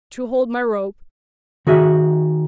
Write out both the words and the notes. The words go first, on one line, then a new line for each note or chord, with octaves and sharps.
Two hold my rope.
D#3 F#4 G#4 E5